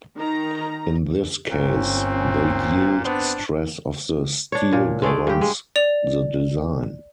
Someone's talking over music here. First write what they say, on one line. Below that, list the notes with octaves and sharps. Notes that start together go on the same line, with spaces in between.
In this case the yield stress of the steel governs the design.
D#3 A#5
G1 A#2 C4 C#4
B3 C4 D4
D4 C#5
A#2
G#3 A3 G#4 D5
G2 G4
G#3
D5 F7